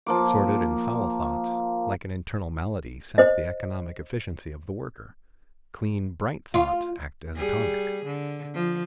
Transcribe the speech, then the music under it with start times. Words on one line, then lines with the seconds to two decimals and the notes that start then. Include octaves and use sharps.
Sordid and foul thoughts, like an internal malady, sap the economic efficiency of the worker; clean, bright thoughts act as a tonic.
0.06 F3 A#3 D6
3.18 C5 D#5
6.54 F4
7.36 G3 G#4
8.05 D3
8.55 F3